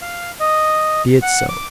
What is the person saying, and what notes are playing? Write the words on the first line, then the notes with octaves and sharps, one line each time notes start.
Be it so.
F5
D#5
F#5
D6